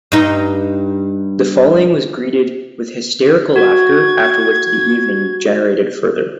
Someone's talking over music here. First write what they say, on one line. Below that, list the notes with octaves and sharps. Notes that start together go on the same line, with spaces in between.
The following was greeted with hysterical laughter after which the evening degenerated further.
G2 D#4
F#4 G#6